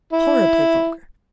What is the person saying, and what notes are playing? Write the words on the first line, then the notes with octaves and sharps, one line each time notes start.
Horribly vulgar!
E4